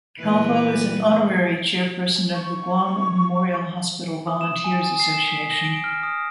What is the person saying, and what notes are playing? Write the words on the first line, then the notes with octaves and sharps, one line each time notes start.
Calvo is an honorary chairperson of the Guam Memorial Hospital Volunteers Association.
A#2 E3 B4
C#6
D#6
E7
G#5
G#5
C7
E7
B6
A#6
D7
F6
D#6